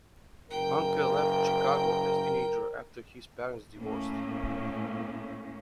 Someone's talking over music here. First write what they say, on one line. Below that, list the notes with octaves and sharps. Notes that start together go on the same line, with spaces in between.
Huncke left Chicago as a teenager after his parents divorced.
F#1 A#4 G5
A2 A#3 C#4